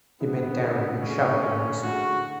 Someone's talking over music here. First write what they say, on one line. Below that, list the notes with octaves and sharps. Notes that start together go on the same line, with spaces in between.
He met Daron and Shavo in high school.
D3 A3 B3 E4 G#4
D3 A3 C#4 E4 G#4
D3 A3 E4 F#4 G#4